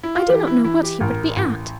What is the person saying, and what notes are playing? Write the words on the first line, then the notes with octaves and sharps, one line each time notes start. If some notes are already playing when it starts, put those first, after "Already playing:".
I do not know what he would be at.
E4
F4
E3 G4
E4
E3 E4
G4
A1 A#4
A1